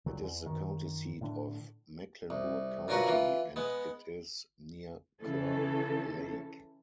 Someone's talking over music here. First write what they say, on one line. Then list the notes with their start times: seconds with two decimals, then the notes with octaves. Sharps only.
It is the county seat of Mecklenburg County, and it is near Kerr Lake.
0.06 C#2 D3 E3 F#3
0.21 E2
0.46 F#2 D#3
1.21 A2 D3 D4
2.30 C2
2.88 F#2 D3 F4 F#4 A#4 B4
3.08 E3 F4
3.56 G#3 B3
5.22 C#3 E3 C#4 A4